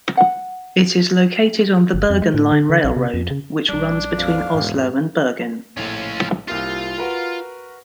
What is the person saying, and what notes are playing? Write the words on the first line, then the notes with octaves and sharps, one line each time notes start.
It is located on the Bergen Line railroad which runs between Oslo and Bergen.
F#5
G1
F2
G#3
A2
D3
D3
A#1
C3
F2
C#3
A#1 G3 D4
F2 F5
E1 G#2
A#1 A2 C#4 F4
C2 A#3 F4 G4 F5
F#4 A#4 B4